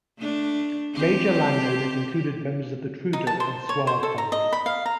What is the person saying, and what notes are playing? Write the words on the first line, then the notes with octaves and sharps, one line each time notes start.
Major landowners included members of the Trudeau and Sauve families.
A3 D4
C4 G4
D#4
A5
C5
C#5
C5
A4
A#5
D#5
B5
F5
A#5